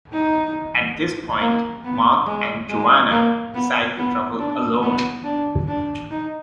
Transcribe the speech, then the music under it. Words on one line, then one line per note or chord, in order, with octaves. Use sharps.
At this point Mark and Joanna decide to travel alone.
D#4
A#3
B3
G#3
G#3
A#3
B3
B3
D4
B3
D4
D4
D#4